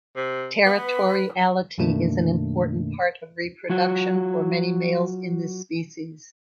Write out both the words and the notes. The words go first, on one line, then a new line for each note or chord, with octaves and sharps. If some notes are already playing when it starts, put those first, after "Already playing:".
Territoriality is an important part of reproduction for many males in this species.
C3
B3 B4
F#2 B2 D#3 A3 A#3 D4
F#3 F4 F#4